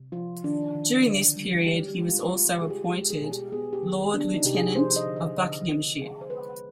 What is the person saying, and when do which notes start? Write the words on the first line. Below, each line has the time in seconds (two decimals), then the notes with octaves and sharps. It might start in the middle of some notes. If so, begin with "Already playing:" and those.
During this period, he was also appointed Lord Lieutenant of Buckinghamshire.
Already playing: C3
0.12 F3 F4
0.44 D#3 D4
0.75 D#3
1.05 D3
1.36 G3
1.66 G#3 G4
1.88 G4
1.98 G#3
2.09 F4
2.28 C4 F4
2.50 F4
2.60 C3 G#4
2.70 G4
2.86 G#4
2.90 G#3 G4
3.10 G#4
3.21 B2
3.31 G4
3.52 B3 G#4
3.73 G4
3.83 D#3
4.14 B3 D4
4.34 D#4
4.45 C3 G4
4.55 G#4
4.75 F3 C5
4.96 D#5
5.06 D3
5.16 D#5
5.37 D3 D#5
5.68 C4
5.99 D3 G#4
6.21 C5
6.29 G#3 B4